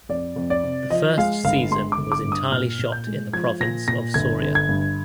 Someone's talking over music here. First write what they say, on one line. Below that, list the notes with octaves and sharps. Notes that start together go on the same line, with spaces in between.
The first season was entirely shot in the province of Soria.
F2 D5
F2
D5
C3
F3 D#5
G#3 F5
G1 F5
G#3 C6
D6
G1
D6
G2
D#6
A#2 F6
A#2
G6
G#3
F3 G#6
A#2 A#6
A#2 A#6
G1 G#6
D3
G#6
G2